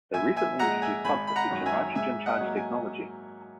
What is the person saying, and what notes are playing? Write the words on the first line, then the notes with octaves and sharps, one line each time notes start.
They recently introduced clubs that feature nitrogen charged technology.
A#1 E5 G#5
E5 G#5
A#2 G#3 F#5 A#5
E5 G#5
G#1 G#5 B5
B5
F#5 A#5
F#2 D#3 F#3
E5 G#5
G#2 E5 G#5
D#5 F#5
F#3 A#3
G#5